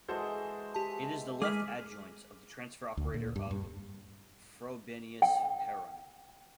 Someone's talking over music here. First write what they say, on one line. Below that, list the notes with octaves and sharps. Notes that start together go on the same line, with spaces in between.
It is the left-adjoint of the transfer operator of Frobenius-Perron.
E3 G#3 F#4 G#4 A4 C5
G4 A5
G#3 G#4 D6 F6 B6
D2
A#2
G2
G2
G5